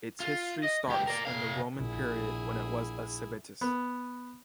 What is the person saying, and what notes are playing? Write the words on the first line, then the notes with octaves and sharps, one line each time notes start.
Its history starts in the Roman period when it was a civitas.
F4
D#5
C#2 G4
A#4 D5
C3 F5
A#1 E4 G#4
B3